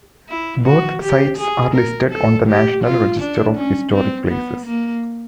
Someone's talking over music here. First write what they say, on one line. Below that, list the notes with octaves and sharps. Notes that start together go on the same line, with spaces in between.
Both sites are listed on the National Register of Historic Places.
E4
F#4
G4
G#4
A#4
A4
G4
F4
D4
C#4
C4
B3
A#3